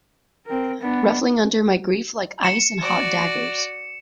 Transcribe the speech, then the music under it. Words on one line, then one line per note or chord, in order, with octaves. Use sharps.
Ruffling under my grief like ice and hot daggers.
C4 A#4
B3 D4
C#7 E7
F#4 D5